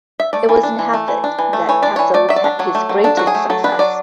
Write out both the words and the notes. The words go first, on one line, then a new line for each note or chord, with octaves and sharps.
It was in Hartford that Cassels had his greatest success.
E5
A3 D5
E3
D4
E3
A3
E3
D4
E3
A3
E3 C#5
D4 D5
E3 C#5
A3 D5
F#3 E5
D5
D4
F#3 C#5
A3
F#3
D4 A4
F#3 F#4
G#4
A3
F#3 A4
D4 B4
F#3 D5